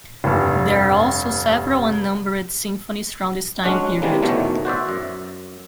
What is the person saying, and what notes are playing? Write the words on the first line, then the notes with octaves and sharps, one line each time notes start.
There are also several "unnumbered" symphonies from this time period.
F1 G2
F#3 G#3 C#4 D4 F#4
C3 E3 G3 G#3 A#3
E2 B2 D#3 F#3 A3 C#4
F#4 C5 D5 E5
F#2